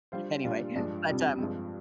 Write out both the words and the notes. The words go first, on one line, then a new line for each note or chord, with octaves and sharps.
Anyway, but, um
G3 D4 F4 C5
A#2 G3 D4 F4
G2 F3 G#3 D4
F2 C3 G3 D4
G2 F3 G#3 C4